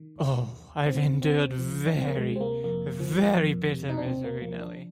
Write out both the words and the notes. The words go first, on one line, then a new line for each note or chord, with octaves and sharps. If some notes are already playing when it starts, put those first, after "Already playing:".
Oh, I’ve endured very, very bitter misery, Nelly!
Already playing: D#3
D#2
D#2
D#3 C4
D2 C4
F3
D4
D2 C4
A#3
G#3
C3
C4
A#3
F2 A#3
F3
F2
C3
D#4
D4
D#2 C4
A#3
F3 A#3
D4